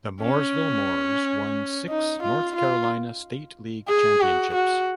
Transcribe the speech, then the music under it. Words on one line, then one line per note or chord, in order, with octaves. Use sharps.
The Mooresville Moors won six North Carolina State League Championships.
C#4
D#4
F4
F4
G#4
F#4
F#4